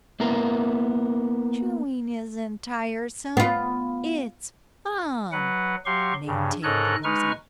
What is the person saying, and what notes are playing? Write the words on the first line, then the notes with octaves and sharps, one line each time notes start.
"Chewing isn't tiresome; it's fun," maintained the Woozy.
A#3 B3 E4 A#4
B3 F4
F#3 B4 F#5
F#3 G4 F5 C6 C#6
G2 C#3
G#2 A4 A#4 C#5 D#5 F#6
G#3 D#4 B4 C#6 F6